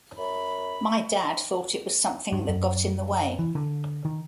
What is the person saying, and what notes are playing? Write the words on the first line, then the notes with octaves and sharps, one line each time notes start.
My dad thought it was something that got in the way.
F#2 B5
G2
F#2
E3
D3
D#3